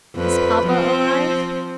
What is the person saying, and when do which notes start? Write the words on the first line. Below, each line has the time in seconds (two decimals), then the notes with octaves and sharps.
Is papa alive?'
0.16 F2 B4
0.67 F3 C4